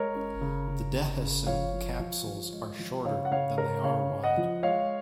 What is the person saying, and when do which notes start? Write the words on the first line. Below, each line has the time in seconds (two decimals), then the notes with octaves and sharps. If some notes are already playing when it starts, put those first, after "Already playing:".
The dehiscent capsules are shorter than they are wide.
Already playing: G#3 A#4 C#5
0.15 C#4
0.41 C#3
0.68 C#3
0.95 C#3
1.21 C#3
1.47 F3 C#5 F5
1.73 F3
2.00 F3
2.26 F3
2.52 G#3
2.79 F3
3.05 C#3 C#5 F5
3.25 F#5
3.31 C#3 C#5 F5
3.58 C#3 A#4 C#5
3.84 C#3 C#5 F5
4.10 C#3
4.23 D#5 F#5
4.37 F3
4.63 G#3 C#5 F5